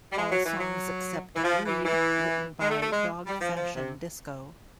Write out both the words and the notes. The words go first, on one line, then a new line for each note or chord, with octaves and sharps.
All songs except "Breed" written by Dog Fashion Disco.
G3
G#3
F#3
E3
F#3
E3
F3
E3
E3
G#3
A3
A3
G#3
G3
F3
F3
C3